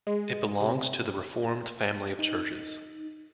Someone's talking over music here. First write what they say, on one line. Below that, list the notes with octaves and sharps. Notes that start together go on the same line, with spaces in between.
It belongs to the reformed family of churches.
G#3
C3
D#4